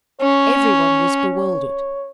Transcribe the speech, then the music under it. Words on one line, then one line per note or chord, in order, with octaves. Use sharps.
Everybody was bewildered.
C#4 C#5